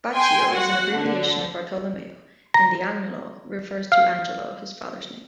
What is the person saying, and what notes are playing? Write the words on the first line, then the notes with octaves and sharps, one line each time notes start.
"Baccio" is an abbreviation of Bartolomeo, and "d'Agnolo" refers to Angelo, his father's name.
G5 G#5 C6
F#4 F#5
D3
A#5
F5